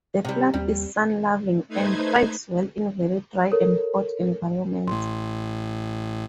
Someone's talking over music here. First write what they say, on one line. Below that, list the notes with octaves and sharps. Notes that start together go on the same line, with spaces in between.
The plant is sun-loving, and thrives well in very dry and hot environments.
C3 G3
D#2 G3
A3 D#4 B4 C5 G#6
A4 A#4 C#5
A1 A2 C6